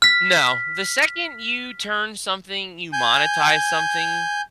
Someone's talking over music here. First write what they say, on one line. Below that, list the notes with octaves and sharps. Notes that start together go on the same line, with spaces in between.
No. The second you turn something you monetize something,
F6 B6
G#5 G6